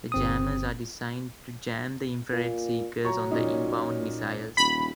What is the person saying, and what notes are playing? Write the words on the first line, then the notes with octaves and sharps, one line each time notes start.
The jammers are designed to jam the infra-red seekers on the inbound missiles.
G1 C4 D#6
A#2
F#3 A#5 C#6
A#2 C#4 D#4
D#1 B5